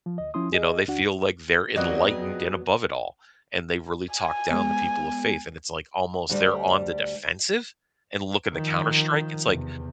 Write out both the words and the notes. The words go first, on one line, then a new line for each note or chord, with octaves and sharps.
You know, they feel like they're enlightened and above it all and they really talk down to people of faith, and it's like almost they're on the defensive and looking to counterstrike, it's like,
F3
D2 D#5
F3 C#4 E4 C6 D#6
G#4 D#5
D2 D4 F#4 F#5
F2 F#3 G3 A#3 B3 F#4 D#5 F#6
G#4
G#5
G#3 B3
D2 G3
D#3 F3
E2 C3